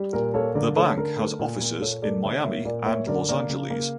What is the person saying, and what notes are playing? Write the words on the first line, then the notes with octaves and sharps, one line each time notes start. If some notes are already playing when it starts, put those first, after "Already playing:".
The bank has offices in Miami and Los Angeles.
Already playing: G3
A#2 A#4
A#3 A4 C#5
D3 A#4 D5
A3 A4 C#5
D3 A#4
A3
A#2
A#3
A#2 A4 C#5
A3 A#4 D5
D3 C#5 E5
A#3 C#5 E5
A#2 A#4 D5
A#3 C#5 E5
D3 A#4 D5
A#3 A#4 D5
C#3
A#3